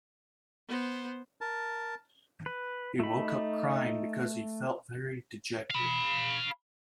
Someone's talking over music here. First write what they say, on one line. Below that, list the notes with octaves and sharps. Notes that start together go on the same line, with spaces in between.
He woke up crying because he felt very dejected.
B3 C5
A#4 A5
B4
A3 D#4 B5
F5 B5